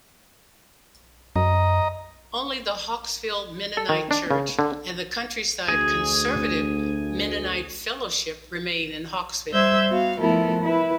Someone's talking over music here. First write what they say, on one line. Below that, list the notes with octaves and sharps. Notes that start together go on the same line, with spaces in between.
Only the Hawkesville Mennonite Church and the Countryside Conservative Mennonite Fellowship remain in Hawkesville.
F#2 D#5 A#5
A4
D#3
D4
C#3
D3
D2 G#4 G#5
G3 C5 E5 E6 G6 G#6
B3 F#4 F5
F3 A3 B3 E4 A4 A#4
E4 B4